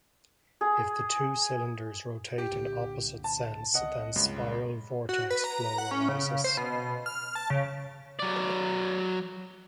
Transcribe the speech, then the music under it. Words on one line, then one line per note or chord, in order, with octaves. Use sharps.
If the two cylinders rotate in opposite sense then spiral vortex flow arises.
G#4
G4
C2 A#2 D3
A5
C2 C3 D#5 F#5
C#2 G2
F#4
B4
A#5
F#5
C#4
C#3
C5
B2
F6
A5
C#3
F#3 D5